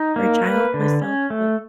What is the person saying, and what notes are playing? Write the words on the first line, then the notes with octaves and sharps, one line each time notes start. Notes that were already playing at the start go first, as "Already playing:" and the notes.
or a child myself, but
Already playing: D#4
A#3
B4
D3
C#4
A3